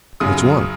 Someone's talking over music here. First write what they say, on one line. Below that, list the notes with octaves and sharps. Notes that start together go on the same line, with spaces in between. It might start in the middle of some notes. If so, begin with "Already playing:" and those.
"Which one?"
F#2 C#3 F#3 D#6